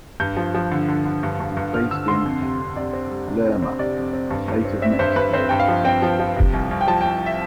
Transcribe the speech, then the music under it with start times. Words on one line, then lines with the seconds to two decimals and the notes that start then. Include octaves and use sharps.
It is based in Lerma, State of Mexico, Mexico.
0.20 G2 G6
0.37 F3
0.55 F3
0.71 D3
0.88 D3
1.05 D3
1.23 G2
1.40 G2
1.57 G2
1.74 G2 F6
1.91 D3 E6
2.08 D3 C6
2.26 F2
2.42 C3
2.60 F2
2.76 C3 D5
2.93 C4
3.11 G3
3.28 C3
3.45 C4
3.62 C4
3.79 C3 D5
3.97 F2
4.13 C4
4.31 G2
4.48 G2
4.65 C4
4.82 C4 E5
4.99 G2 C5
5.16 G2 B4
5.33 C4 C5
5.49 G2 G5
5.60 F5
5.68 F3
5.85 C4 G5
6.02 F3
6.19 F3
6.36 C3
6.53 C2
6.71 C2
6.81 G5
6.88 F3 A5
7.01 G5
7.05 C2
7.26 E5